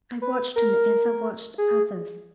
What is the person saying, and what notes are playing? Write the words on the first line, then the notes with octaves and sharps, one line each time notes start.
I watched him as I watched others.
B4
A#4
G#4